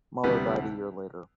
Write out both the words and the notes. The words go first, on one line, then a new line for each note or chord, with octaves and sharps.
Mueller died a year later.
D2 C3 E3 G3 B3